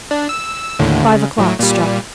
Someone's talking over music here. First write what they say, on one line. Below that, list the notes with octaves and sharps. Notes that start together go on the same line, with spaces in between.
Five o'clock struck.
D4
E6
D#2 A2 D3
C#3
A2 F#3
A#2 G3